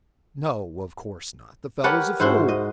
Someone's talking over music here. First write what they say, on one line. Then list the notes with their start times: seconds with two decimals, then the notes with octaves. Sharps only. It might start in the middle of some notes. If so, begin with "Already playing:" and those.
"No, of course not; the fellow's a fool."
1.84 G4 A#4 B4 C#5 F#5 A5
2.20 G#2 E4 F#4 C5 C6
2.48 D#5